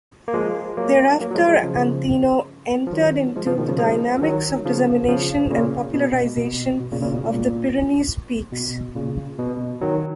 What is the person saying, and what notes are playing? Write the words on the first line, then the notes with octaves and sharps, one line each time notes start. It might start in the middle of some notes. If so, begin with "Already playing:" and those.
Thereafter Aneto entered into the dynamics of dissemination and popularization of the Pyrenees peaks.
A#3
F3 G#3
F#3 A#3
F#3 A#3
F#3
F3 G#3
F3 G#3
C#3 F3
F3
D#3 F#3
F3 G#3
C#3 F3
B2 D#3
C#3 F3
F3 G#3
D#3 F#3
C#3 F3
C#3 F3
A#2 C#3
B2
B2
B2
A#2 C#3
A#2 C#3
B2
A#2
B2
A#2 C#3
B2
D#3 F#3